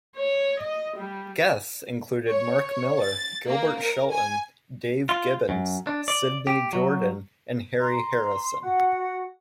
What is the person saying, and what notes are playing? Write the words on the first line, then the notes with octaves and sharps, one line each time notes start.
Guests included Mark Millar, Gilbert Shelton, Dave Gibbons, Sydney Jordan, and Harry Harrison.
C#5
D#5
G3
C#5
A6
A#3
A#4
G#5
F4
F#2
D4
D5
G4
F#3
A#5 C6
F#4 F#5